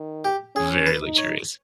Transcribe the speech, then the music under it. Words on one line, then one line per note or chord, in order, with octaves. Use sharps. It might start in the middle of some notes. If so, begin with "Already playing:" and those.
Very luxurious.
Already playing: D#3
G4
C#4 G#4
B4
D#4
C#5